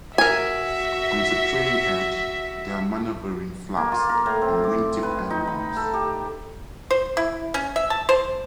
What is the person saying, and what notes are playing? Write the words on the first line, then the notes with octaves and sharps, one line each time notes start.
On the trailing edge, there are maneuvering flaps and wingtip ailerons.
F#4 A#4 E5 G#5
A#3
F4
A#4
A2
C4
D6
B4
D#4
B5
A4
G4
C5
E4
C#4
E5
A5
C5